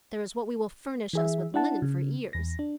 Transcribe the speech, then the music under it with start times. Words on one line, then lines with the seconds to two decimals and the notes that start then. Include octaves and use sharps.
There is what will furnish us with linen for years.
1.13 E3 G#4 E5
1.54 D4 E4 F#5 A5
1.82 C#3
2.33 E2 A#6
2.59 D4